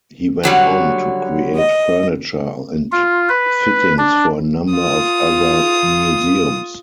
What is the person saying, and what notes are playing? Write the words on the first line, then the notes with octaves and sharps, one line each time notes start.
He went on to create furniture and fittings for a number of other museums.
D3 F#3 G3
D#5
F4
B4
D4
F4 D#6